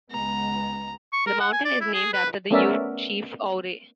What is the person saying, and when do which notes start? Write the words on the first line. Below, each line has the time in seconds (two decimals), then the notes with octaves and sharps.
The mountain is named after the Ute Chief Ouray.
0.11 C#2 G#3 B3 A#5
1.13 C#6
1.27 A#4
1.40 F#5
1.53 G#5
1.65 D5
1.81 E4
1.94 G#4
2.13 B4
2.51 A3 B3 C#4 A#4 D5 E5